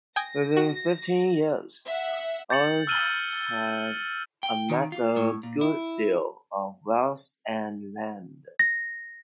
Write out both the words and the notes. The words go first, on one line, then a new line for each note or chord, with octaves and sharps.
Within fifteen years, Owings had amassed a good deal of wealth and land.
G5 G#5 D#6 A#6
F#4
E5 F#5
G6 A6 C#7 F#7
E6 F6 D#7 F#7 G7
G5
D#3
F4
A2
A#2
E4
A#6